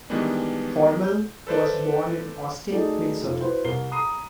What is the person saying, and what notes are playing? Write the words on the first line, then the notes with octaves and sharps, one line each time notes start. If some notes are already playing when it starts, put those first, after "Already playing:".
Hormel was born in Austin, Minnesota.
D#3 E3 G3 G#3 B3 D4
G6
A4 B4 C5 D5 E5
A3 D#4 F#4 G#4 A4 D5
F1 F4
E4 F#4 B4 C5
C2 A#4 C7 G7
A#5 B5 D#6 C7 D#7